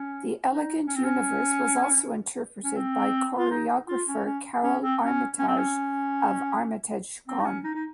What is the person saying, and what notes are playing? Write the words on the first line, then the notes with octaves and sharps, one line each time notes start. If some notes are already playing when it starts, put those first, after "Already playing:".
"The Elegant Universe" was also interpreted by choreographer Karole Armitage, of Armitage Gone!
Already playing: C#4
D#4
C#4
C4
C#4
C#4
C4
F4
D#4
F4
C#4
C#4
C#4
C4
C#4
C#4
C4
C#4
C4
D#4
C#4
D#4
D#4